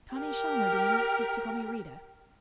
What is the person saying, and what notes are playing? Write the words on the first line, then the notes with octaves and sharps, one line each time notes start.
Connie Shelmardine used to call me Rita.
G4 A#4